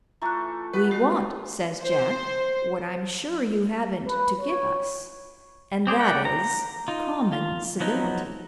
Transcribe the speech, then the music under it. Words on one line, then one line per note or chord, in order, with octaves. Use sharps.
"We want," says Jack, "what I'm sure you haven't to give us--and that is, common civility."
E3 A3 F4 A4 A#5 F#6
B3 B4
G3 G#3 F#4
C5
B4
C#5
C4 G4 G#4 C5
D5 F#5 G5
A#5
D#4 F4
F4
F3 F#3 B3 D#4